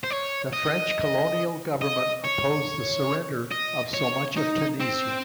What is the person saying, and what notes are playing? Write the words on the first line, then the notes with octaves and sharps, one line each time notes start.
The French colonial government opposed the surrender of so much of Tunisia.
C5
C#5
D#5
D#5
C#5
D#5
C#5
D#4
C4